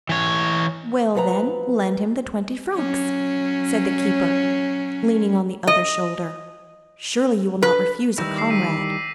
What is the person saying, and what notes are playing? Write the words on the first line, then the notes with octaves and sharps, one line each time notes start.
"Well, then, lend him the twenty francs," said the keeper, leaning on the other shoulder; "surely you will not refuse a comrade!"
E3 C#5
F3 F#3 B4 F#5 A#5
F#3 C#4
D#5
B4
D#3 G3 E4 E6 G6 A#6
D6 C7
E6 B6 D#7